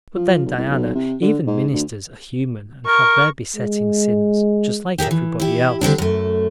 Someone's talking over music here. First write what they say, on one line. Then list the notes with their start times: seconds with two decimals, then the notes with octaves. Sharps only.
But then, Diana, even ministers are human and have their besetting sins just like everybody else.
0.16 F3
0.45 B1
0.57 C2
0.70 B1
0.95 C3
1.22 D3
1.47 G#2
1.72 D2
2.87 A#4 C#6
3.57 G#3
4.98 G4 G#4 A#4 E5
5.11 E3
5.40 E4 G4
5.81 D3 G3 C4 D4
5.98 F#2 A3